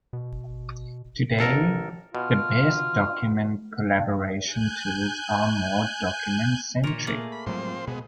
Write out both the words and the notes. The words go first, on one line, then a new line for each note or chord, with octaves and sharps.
Today, the best document collaboration tools are more document-centric.
B2
A1 A4 A#4
B2 F4
G#5 F#6 G6
A#2 A#4 C#5
A3 A#3 G#4
B5
A2 F3 F#3 G#3 C4 C5
B2 G#3 B3